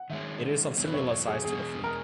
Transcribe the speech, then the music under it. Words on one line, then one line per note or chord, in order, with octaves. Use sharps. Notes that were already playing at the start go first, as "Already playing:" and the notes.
It is of similar size to the Fleet.
Already playing: F#5
D#3 G#3 C#4 E5
E2 B2 F#3
B4
C#5
C#5
G#4
E2 B2 G#3 G#4
A#4